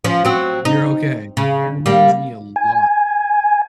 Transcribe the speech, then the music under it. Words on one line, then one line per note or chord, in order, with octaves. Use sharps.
You're okay. That reminds me a lot
F3 C#4
F#3 C4
D#4
C#3
G3 A#3
G#5